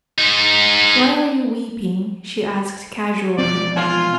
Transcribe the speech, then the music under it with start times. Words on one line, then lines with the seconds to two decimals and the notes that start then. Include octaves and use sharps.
"Why are you weeping?" she asked casually.
0.18 G#3 D#4
3.38 E1 F3 C4 D5
3.76 F4 F5 G#5